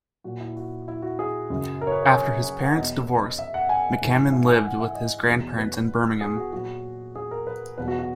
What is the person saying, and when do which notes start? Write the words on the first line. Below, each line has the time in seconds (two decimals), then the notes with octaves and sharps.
After his parents' divorce, McCammon lived with his grandparents in Birmingham.
0.24 A#2 F#3 F#4
0.40 E4
0.56 F#4
0.88 E4
1.02 F#4
1.19 G#4
1.50 F#2 C#3 F#3
1.81 A#4
1.87 C#5
1.92 B4
2.03 C#5
2.13 G#5
2.44 G#5
2.60 F#5
2.75 E2 B2 F#3 D#5
3.39 E5
3.54 F#5
3.69 G#5
4.01 G#2 E3
4.32 E5
4.48 G#5
4.64 F#5
4.80 E5
4.95 D#5
5.26 E2 B2 F#3
5.58 B4
6.21 G#4
6.37 F#4
6.52 A#2 F#3 F#4
7.15 G#4
7.31 A#4
7.47 B4
7.78 E2 B2 F#3 B4
7.88 F#4
7.99 F#4